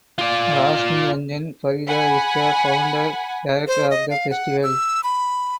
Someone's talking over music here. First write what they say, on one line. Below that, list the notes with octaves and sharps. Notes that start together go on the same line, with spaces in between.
Rashmi Ranjan Parida is the founder director of the festival.
F4 D5
F#5 G#5 B5
C5
D#5
F5
F#5
E6
B5